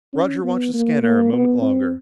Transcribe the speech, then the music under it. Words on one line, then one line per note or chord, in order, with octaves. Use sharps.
Roger watched the scanner a moment longer.
C#4
B3
A#3
A#3
B3
C4